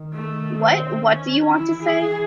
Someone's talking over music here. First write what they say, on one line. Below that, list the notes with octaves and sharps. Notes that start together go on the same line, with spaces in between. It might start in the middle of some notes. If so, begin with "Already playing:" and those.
What? What do you want to say?...
Already playing: D#3
A3
C4
C#4
E3 E4
G#4